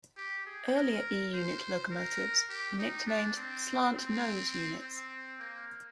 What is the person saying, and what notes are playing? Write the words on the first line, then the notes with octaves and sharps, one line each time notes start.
Earlier E-unit locomotives were nicknamed "slant nose" units.
G4
G#4
A#4
C5
A#4
G4
D#4
D4
C4
C4
C4
A#3